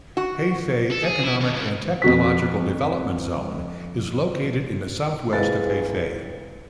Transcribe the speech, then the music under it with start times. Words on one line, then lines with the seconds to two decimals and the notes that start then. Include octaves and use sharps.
Hefei Economic and Technological Development Zone is located in the southwest of Hefei.
0.17 F#4
0.92 A4
1.05 G#4
1.24 E4
1.40 D#2
1.53 C#2
2.02 F2 F#4 B6
5.33 C2 G#3 G#4 B4 F5 A6